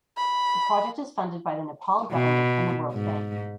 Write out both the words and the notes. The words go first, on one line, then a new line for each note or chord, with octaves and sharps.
The project is funded by the Nepal Government and the World Bank.
B5
B2
G#2